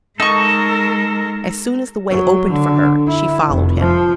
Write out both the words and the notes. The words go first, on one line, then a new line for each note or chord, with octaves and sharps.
As soon as the way opened for her, she followed him.
G#3 D#4 A4 A#4 C#6
F#3
D3
E4
F1
F3